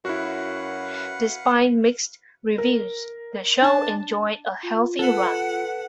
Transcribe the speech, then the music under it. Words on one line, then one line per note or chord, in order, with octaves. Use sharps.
Despite mixed reviews, the show enjoyed a healthy run.
F#2 E4 F#4 B4 F5 F#5
A#4
D4 A5
F4
A4 B4 F#5